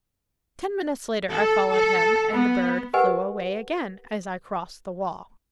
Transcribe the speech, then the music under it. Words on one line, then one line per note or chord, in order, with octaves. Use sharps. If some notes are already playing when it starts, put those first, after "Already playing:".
Ten minutes later I followed him, and the bird flew away again as I crossed the wall.
A4
A4
B3
G4 A#4 B4 D#5 F#5 G#5